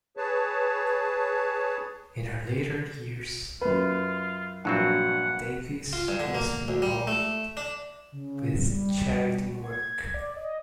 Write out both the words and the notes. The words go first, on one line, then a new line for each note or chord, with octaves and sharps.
In her later years, Davies was involved with charity work.
G#4 B4 C#5 A5
F#2 F4 B4
A#1 G2 F#3 C4 F#4 F#5
F4
G2
D3
A#3
D2
G3
A3
D4
C#3
G3
F#4
G#6
D5
D#5